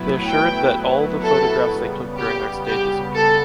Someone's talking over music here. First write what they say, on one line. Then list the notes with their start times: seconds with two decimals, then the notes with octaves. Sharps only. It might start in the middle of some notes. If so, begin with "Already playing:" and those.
They assured that all the photographs they took during their stay disappeared.
Already playing: A2 F#3 B3 E4 B4
0.26 G5
1.22 A4
1.70 C#3 G3 B3
2.18 G4
2.66 G4
3.14 A4